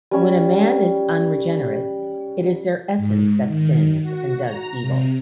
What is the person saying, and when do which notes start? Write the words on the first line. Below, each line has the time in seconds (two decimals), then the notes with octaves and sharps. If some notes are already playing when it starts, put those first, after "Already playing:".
When a man is unregenerate, it is their essence that sins and does evil.
0.11 G3 C#4 C#6
2.97 G#2
3.47 D#3
4.02 F#4
4.43 A#5
4.80 C3